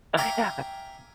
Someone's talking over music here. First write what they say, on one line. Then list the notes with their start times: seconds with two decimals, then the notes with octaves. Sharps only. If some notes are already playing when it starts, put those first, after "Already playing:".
Uh, yeah,
0.17 E5 F5 G5 G#5 A#5 D6